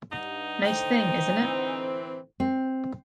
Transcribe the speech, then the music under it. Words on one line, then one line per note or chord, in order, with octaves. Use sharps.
Nice thing, isn't it?
G2 D#4 F#5
A2 D3 C5 G5
E3 C4
C4